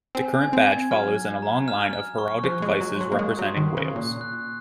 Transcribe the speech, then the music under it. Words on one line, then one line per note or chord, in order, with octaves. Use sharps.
The current badge follows in a long line of heraldic devices representing Wales.
C4 G#5
G#5
C4
G#6
F#3 F6
F6
A#5
F6
F6
C#6
F3 F#6
G#3
F#6
F#3
C6
F#3
A#3
G#3 D#6
F#3
C6
D#3
C7
C#3
A#2 F#6
F#6